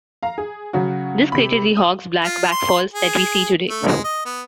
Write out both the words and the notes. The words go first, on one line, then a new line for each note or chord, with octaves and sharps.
This created the Hogs Back Falls that we see today.
F5 A#5
G#4
C#3 F#3 F#4
C3 B5
D#6
F4
C6
G#4
A3
G#3
D#5
B3